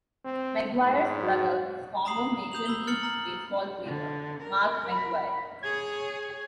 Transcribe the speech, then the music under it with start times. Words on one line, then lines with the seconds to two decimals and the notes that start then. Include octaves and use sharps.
McGwire's brother is former Major League Baseball player Mark McGwire.
0.25 C4
0.85 G#2
1.23 F#4
2.05 A#5 B5 D#6 C7 F#7
2.52 D#6 G6 F7 F#7
2.65 B5 E6 F7 G7
2.87 F6 A6 C#7 F#7
3.03 A#5 F6 F#7
3.85 D3
4.43 A#4
4.92 B5
5.63 G#4 C#5 G#6